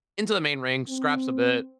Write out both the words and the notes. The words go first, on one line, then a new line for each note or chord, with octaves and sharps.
into the main ring, scraps a bit,
C4